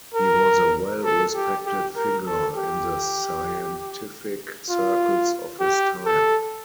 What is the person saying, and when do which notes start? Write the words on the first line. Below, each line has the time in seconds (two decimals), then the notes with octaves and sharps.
He was a well-respected figure in the scientific circles of his time.
0.14 A#4
1.05 A4
1.35 G4
1.66 G4
1.96 A#4
2.27 A4
2.57 G4
4.70 F4
5.60 G4
6.06 A4